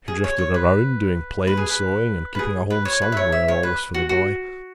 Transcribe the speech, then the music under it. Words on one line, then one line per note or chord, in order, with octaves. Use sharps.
She drifted around, doing plain sewing and keeping a home somewhere always for the boy.
G#4
C#5
C#5
B4
B4
G#4
B4
B4
G#4
B4
C#5
B4
E5
C#5
E5
C#5
B4
F#4
F#4